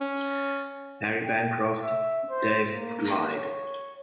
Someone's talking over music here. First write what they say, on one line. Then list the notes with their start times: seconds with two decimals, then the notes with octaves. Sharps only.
Harry Bancroft, Dave lied.
0.01 C#4
1.25 G5
1.81 E5
2.30 C5
2.70 A#3
3.33 C#5